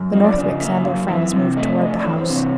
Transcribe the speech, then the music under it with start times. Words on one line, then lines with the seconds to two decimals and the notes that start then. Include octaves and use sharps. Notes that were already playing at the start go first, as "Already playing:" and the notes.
The Northwicks and their friends moved toward the house.
Already playing: F#2
0.12 F3 D#5
0.24 D5
0.37 C#3 D5
0.49 D#5
0.60 A#3 E5
0.84 F#2 F5
1.08 E3 E5
1.32 C3
1.56 A3 D#5
1.68 D5
1.80 F2 D#5
1.93 D5
2.04 E3 C#5
2.21 C5
2.28 C3
2.36 C#5